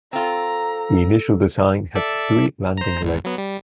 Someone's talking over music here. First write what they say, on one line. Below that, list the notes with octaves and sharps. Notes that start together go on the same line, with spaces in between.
The initial design had three landing legs.
C4 F4 A4 A#5
A4 D5 E5
C5 A#5
G#1 E2
F#3 B3
G3